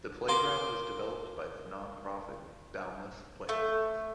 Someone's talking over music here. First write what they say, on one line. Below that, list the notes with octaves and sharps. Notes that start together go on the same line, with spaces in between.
The playground was developed by the nonprofit Boundless Playgrounds.
A#3 C6 D6
A3